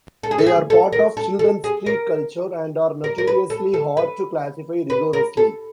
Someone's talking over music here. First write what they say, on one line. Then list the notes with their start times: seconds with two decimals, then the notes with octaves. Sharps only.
They are part of children's street culture, and are notoriously hard to classify rigorously.
0.23 A4
0.31 G#4
0.39 A4
0.46 G#4
0.70 A4
0.93 A#4
1.17 A4
1.39 A4
1.64 G#4
1.86 A#4
3.04 A#4
3.18 A#4
3.27 B4
3.50 A4
3.74 A4
3.97 B4
4.90 B4
5.13 A#4
5.37 A4